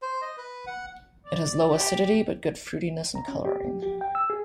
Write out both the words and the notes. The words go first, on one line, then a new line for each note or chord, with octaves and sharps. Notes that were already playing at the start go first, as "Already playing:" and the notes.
It has low acidity but good fruitiness and coloring.
C5
D#5
B4
F#5
D5
G4
A#5
C#4
G4
G4
G5
E6
G#4